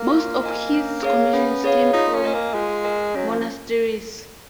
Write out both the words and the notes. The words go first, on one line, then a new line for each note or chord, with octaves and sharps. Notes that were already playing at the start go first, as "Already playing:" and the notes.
Most of his commissions came from monasteries.
Already playing: A#3
F4
A#4 D#5 G#5
C#4
G#4 C#5 F5
B3 C#4
G#4 C#5 F5
D#4 F4
C#4
A#4 D#5 G#5
A#3
G#3 F4
A#4 D#5 G#5
F#3 C#4
F3
F3